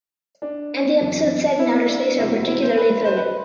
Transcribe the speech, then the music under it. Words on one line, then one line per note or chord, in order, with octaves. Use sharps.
And the episodes set in outer space are particularly thrilling.
D4
G1 F#2 E3
E4
D4
F#1 E2 C3 F#3 E4
E4
C5
B4
C5
B4